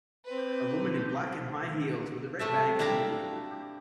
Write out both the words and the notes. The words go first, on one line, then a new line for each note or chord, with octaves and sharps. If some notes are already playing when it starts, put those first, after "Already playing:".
A woman in black and high heels with a red bag is walking.
C4 B4
C3 A3 A4 E5
D4 E4 G4 F5 A#5